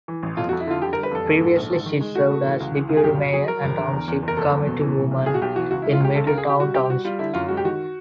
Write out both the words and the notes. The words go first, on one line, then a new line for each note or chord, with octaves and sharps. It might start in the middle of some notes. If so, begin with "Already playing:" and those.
Previously, she served as Deputy Mayor and Township Committeewoman in Middletown Township.
E3
A1
F2 F4
F#4
F2
E4
D3 F4
D3 G4
A#4
G3
B4
F2 A4
A#1
G#2
A#1
G#2
D#3
G#3
A3 F#4
A3
E3
C#2
E3
C#2
G#4
F#2 G4
F#3
F#3 G#4
F#3 A#4
G#1
D3
E2
E2
F#1
A#4
F#1 A4
E2
B2
E3
E3
B1
B1 G#4
F#4
B1 G4
E3 F#4
C#2 F#4
E4
G#3
F4
C#2 G4
C#3 A4
A#4
C#3
G#4
C#3 G4
G3 F#4
G3 G4
G3 F#4
G3 F4
D3 E4
F#2 F4
G#3 F#4
G4
D#3 F#4